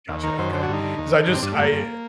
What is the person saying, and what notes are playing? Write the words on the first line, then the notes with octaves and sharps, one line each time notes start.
Gotcha, okay, 'cause I just I
D#2
D#3 A#4
F#2 C5
D3 C5
F#4
G2 D#4
D3
D#2
D3
G2
C4
G2 D4
A3
G2 A#3
G2